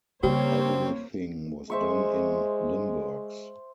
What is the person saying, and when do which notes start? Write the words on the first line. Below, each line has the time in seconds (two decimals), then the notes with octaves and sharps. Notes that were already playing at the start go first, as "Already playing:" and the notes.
Everything was done in Limburgs.
0.23 C#3 G3 A#3 C4 C5 C#5
1.70 G#3 C5 E5 C#6